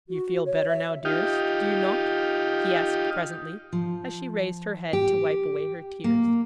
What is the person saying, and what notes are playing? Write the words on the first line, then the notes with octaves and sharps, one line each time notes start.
"You feel better now, dearest, do you not?" he asked presently, as she raised her head to wipe away her tears.
F#4
C#5
E5
D#4 F4 G4
F3
G4
A#3